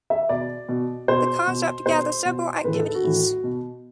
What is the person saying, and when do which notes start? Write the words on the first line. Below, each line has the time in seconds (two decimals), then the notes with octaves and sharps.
The concept gather several activities.
0.10 E5
0.29 B2 D5
0.69 B2
1.08 B2 C5
1.47 B2
1.86 B2 C5
2.25 B2
2.64 A2 E3 B4
2.74 A4
2.84 A4
2.94 F#4
3.04 A2 E3
3.44 B2